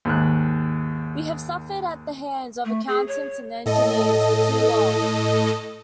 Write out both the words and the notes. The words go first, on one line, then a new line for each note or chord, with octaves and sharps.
We have suffered at the hands of accountants and engineers for too long.
D#2 G#2 F#6
A3
G#4
C#5
A2 A4 D#5